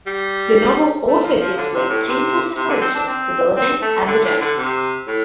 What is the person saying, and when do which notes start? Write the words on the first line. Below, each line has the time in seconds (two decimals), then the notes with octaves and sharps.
The novel also deals with painful separation with the living and the dead.
0.07 G3
1.07 A3
1.24 F3
1.40 F3
1.57 D3
1.74 C3
1.90 A2
2.07 C3
2.56 C3
2.69 D3
2.82 C4
2.95 D4
3.07 C4
3.57 C4
3.82 A3
4.07 D3
4.24 A2
4.41 D3
4.57 C3
5.07 A2